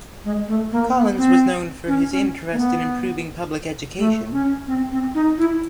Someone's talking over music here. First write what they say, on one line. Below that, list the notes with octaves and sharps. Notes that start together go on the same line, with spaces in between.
Collins was known for his interest in improving public education.
G#3
A3
A#3
B3
C4
C#4
C#4
A#3
B3
A3
C#4
C4
C4
D#4
E4